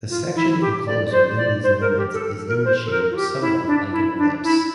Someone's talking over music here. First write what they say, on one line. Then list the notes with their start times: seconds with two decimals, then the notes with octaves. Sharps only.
The section enclosed within these limits is in shape somewhat like an ellipse.
0.10 F4
0.35 E4
0.61 G4
0.87 D5
1.07 D5
1.12 C5
1.37 D5
1.63 C5
1.80 A#4
1.97 G4
2.13 A4
2.48 A#4
2.65 C5
2.86 A4
2.90 A#4
3.11 F4
3.16 G4
3.41 E4
3.67 D4
3.92 E4
4.18 D4
4.43 E4